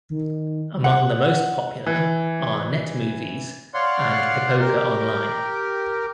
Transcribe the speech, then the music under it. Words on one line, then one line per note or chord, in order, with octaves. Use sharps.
Among the most popular are NetMovies and Pipoca Online.
D#3
F#5
E3
C#5 D5 F5 F#5 C6
G4 A#4